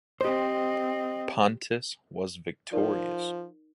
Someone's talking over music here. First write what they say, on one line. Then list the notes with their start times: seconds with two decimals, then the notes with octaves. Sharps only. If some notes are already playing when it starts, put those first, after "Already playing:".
Pontus was victorious.
0.21 C4 G4 C5 D#5
2.73 F3 D#4 A#4 D5